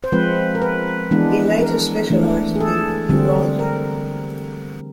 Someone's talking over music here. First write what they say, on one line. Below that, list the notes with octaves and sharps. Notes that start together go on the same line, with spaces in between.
He later specialised in urology.
C5
F3 G#3 C4 B4
A#4
B4
E3 G#3 B3 D4
A#4
E3 A3 D4
G#4
A4
D3 G3 C4
A#4